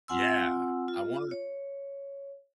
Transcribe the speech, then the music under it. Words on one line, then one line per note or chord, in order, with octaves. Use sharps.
Yeah! I wanna
C4 F4 F#5 G#5 C6 E6
F4
C#5